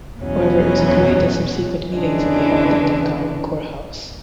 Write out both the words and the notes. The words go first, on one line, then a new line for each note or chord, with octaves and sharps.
However it was agreed that subsequent meetings would be held at Dungarvan Courthouse.
E2 B2 F#3 C#4
E2 C#3 E3 G#3 D4